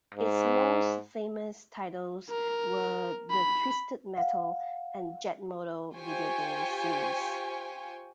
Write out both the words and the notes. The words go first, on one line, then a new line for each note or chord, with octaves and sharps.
Its most famous titles were the "Twisted Metal" and "Jet Moto" video game series.
G#2
A#4
B5
F5 F#5
F4 G4 C5 G5 G#5 C#6